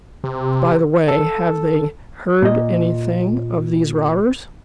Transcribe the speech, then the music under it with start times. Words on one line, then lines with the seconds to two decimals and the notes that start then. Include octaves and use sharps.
"By the way, have they heard anything of those robbers?"
0.24 C3
1.08 A4
2.42 A#2 D#5